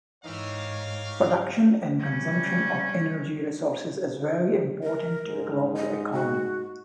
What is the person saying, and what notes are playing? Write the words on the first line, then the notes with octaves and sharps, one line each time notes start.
Production and consumption of energy resources is very important to the global economy.
G#2 E3 D#4 G4 A#4 C#5 F5
G3 C#4
A#4
G#2
D#5
F#4